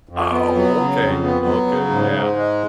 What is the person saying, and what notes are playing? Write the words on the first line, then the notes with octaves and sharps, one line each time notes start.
Oh, okay, okay, yeah.
F2
B3
F#3
C#3
F2
B3
F#3
C#3
G#2
G#2
G#3